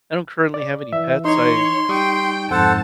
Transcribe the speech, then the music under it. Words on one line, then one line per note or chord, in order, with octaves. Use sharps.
I don't currently have any pets. I
D5
E3 E5
D#4 C#5 C6
G3 G5 C#6 D#6
F2 G#2 A4 C5 F#5 A5